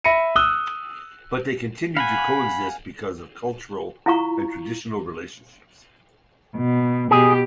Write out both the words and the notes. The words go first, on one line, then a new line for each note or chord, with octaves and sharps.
But they continue to co-exist because of cultural and traditional relationships.
E5 B5 A#6 C#7 D#7
D#6 E6 F#6 G7
F5 F#5 G#5 B5
E4 F4 F5 A#5 C#6
B2
B2 G4 G#4